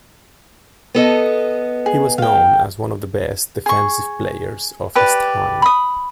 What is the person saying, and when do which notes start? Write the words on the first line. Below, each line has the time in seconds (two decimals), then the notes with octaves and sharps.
He was known as one of the best defensive players of his time.
0.95 B3 A4 D#5
1.86 G#4
2.18 F5 G5
3.66 G#4 C#6
4.95 G4 B4 D5
5.62 B5 D#6